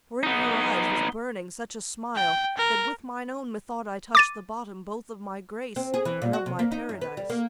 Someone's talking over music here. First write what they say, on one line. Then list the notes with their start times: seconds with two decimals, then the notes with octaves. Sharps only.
For in her eyes was burning such a smile That with mine own methought I touched the bottom Both of my grace and of my Paradise!
0.23 B3 D#4
2.16 G5
2.57 A#4
4.15 D6 A6 D#7
5.76 C4
5.94 G#4
6.05 E3
6.22 A#2
6.33 F#4
6.46 C3
6.59 A#3
6.72 D#4
6.89 F#2
7.01 B4
7.17 G3
7.30 A#3